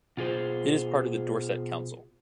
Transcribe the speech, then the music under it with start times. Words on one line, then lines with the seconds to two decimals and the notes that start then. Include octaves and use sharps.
It is part of the Dorset Council.
0.17 B2 F4 G#4 C5